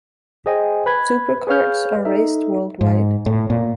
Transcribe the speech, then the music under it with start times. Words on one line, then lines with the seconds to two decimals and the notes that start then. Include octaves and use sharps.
Superkarts are raced worldwide.
0.46 G#4 C5 D#5 G5 G#5
0.86 B4 B5 G#6
1.47 G#4 B4 C#5 F5 F6 G6
2.05 D#4 A4 E5
2.81 G#2
3.26 A2
3.50 A#2